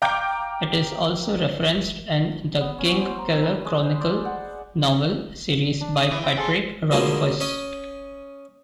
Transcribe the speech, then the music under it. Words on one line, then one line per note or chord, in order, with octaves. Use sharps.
It is also referenced in "The Kingkiller Chronicle" novel series by Patrick Rothfuss.
F5 G5 A#5 D6 G6
B3
C#4
C5
A#5
C4
B4
G#3
C5
D5
F#5
D4
D#6
E3 E4
C4 G5
G#4 A4 F#5 C6
D2 B2 D3 F3 G#3 A#3
C#4 D#5